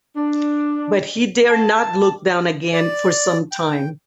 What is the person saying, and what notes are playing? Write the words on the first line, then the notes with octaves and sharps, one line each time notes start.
But he dared not look down again for some time.
D4
A5
D5
G5